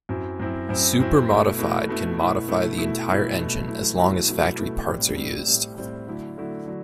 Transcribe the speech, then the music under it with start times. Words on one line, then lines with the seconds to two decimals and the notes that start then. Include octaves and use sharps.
Super Modified can modify the entire engine as long as factory parts are used.
0.09 F#2 F#3 C4 E4
0.40 F#2 F#3 C4 E4
0.69 F#2 F#3 C4 E4
0.99 F#2 F#3 C4 E4
1.29 B2 A3 E4
1.59 B2 A3 E4
1.88 B2 A3 E4
2.18 B2 A3 E4
2.48 B2 A3 E4
2.78 B2 A3 E4
3.08 B2 A3 E4
3.38 B2 A3 E4
3.68 B2 F#3 A3 E4
3.98 B2 F#3 A3 E4
4.28 B2 F#3 A3 E4
4.58 B2 F#3 A3 E4
4.88 A2 G3 C4
5.17 A2 G3 C4
5.47 A2 G3 C4
5.78 A2 G3 C4
6.07 D3 F#3 A3 E4
6.38 D3 F#3 A3 E4
6.67 D3 F#3